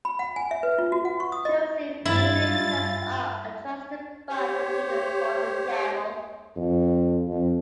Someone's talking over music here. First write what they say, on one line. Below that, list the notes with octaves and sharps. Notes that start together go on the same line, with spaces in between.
Joseph immediately perks up and tries to buy the fiddle from the devil.
B5
F#5
G#5
E5
B4
F4
F#4
F#5
C#6
D#6
D#5
G2 E4 F4 A6
G4 C5 C#5
F2
F2